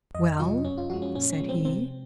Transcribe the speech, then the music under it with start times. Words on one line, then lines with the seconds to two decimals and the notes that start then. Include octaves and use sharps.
"Well?" said he.
0.15 F2 D#5
0.40 C3 F#3 F4
0.65 F#2 C#4
0.78 F4
0.90 F3 G#3 F#4
1.02 C#4
1.15 A#2 C#4
1.32 C#4
1.40 F3 G#3
1.49 C4
1.65 C3 C4